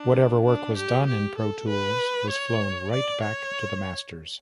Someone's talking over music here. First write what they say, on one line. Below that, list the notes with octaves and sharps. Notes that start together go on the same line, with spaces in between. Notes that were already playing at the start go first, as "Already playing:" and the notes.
Whatever work was done in Pro Tools was flown right back to the masters.
Already playing: D4
D4
G4
G4
A4
B4
C#5
D5
C#5